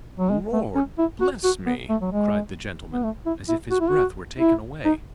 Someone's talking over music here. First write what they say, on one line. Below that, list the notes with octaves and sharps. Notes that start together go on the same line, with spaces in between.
"Lord bless me!" cried the gentleman, as if his breath were taken away.
F#3
G#3
A3
C#4
E4
F#4
F#4
B3
A3
F#3
G#3
B3
A3
E4
E4
F#4
E4
F#4
E4
D#4